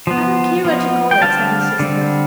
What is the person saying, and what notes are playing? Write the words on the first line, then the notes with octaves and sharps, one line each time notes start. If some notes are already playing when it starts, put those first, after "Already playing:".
"I don't care what you call it," said his sister.
F3 B3
F3 B3
G5
D3 G3 C4 F5 A5
D3 G3 C4